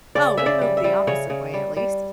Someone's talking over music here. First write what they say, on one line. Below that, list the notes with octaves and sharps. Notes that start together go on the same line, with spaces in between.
Oh, we moved the opposite way at least.
C#3 D5
C#3 E5
D5
G3
E5
G3
C#3 C#5
C#3
G3
G3